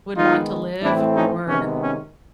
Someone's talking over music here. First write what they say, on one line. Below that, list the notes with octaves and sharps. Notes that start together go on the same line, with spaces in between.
would want to live or,
D#3 G#3 B3 D#4 F4
A2 E3 A3 C4 D4 E4
C#4 D#4
C3 D#3 G#3 B3 C#4
C#4